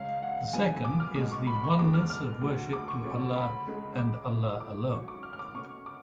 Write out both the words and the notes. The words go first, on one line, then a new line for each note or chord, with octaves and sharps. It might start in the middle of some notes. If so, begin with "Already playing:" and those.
The second is the oneness of worship to Allah and Allah alone.
Already playing: C#2 C#3 G#3 C#4 F5
F#5
F#2 D3 F3 G#3 B3 G#5
D6
F6
C#2 B2 G#3 C#4 D6
C#6
B5
C#6
F2 D3 G#3 B3 D6
F6
F6
D2 D3 F#3
D6
C#6
D2 C#3 F#3 C#4
B5
C#2 C#3 G#3
D6
A2 F3 A3
D6
G#2 F#3 C#4 C#6
D6
F6
F6
D6
B2 A3 C#4 C#6
D6